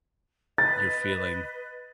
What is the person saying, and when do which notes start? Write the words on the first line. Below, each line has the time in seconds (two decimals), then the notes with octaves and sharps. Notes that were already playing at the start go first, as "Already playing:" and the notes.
you're feeling
0.58 B4 D#5 A6